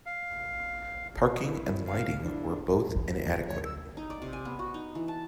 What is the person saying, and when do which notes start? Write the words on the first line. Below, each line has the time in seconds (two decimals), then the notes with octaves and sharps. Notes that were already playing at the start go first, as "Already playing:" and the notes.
Parking and lighting were both inadequate.
0.06 F5
1.39 C4 E4
1.87 F5
2.22 D4 E4
2.89 D#2 E3
3.48 D2 F#3 C#5
3.64 E6
3.97 D#4
4.10 D5
4.22 C3
4.33 G#5
4.45 B3
4.59 F#4
4.74 D#4
4.95 E3
5.08 A5